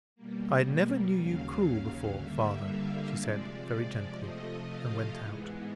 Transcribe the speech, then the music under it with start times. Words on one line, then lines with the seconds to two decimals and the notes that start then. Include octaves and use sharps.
"I never knew you cruel before, father," she said, very gently, and went out.
0.16 B2 G3 A#3
1.15 D#2 C#3 F#3 F5
2.15 G2 D3 G3 A#3 E5
2.66 F5
3.15 C3 F3 G#3 D5
3.65 D5
4.14 C3 F3 A3 D#5
4.65 F5
5.14 G#2 E3 G#3 B3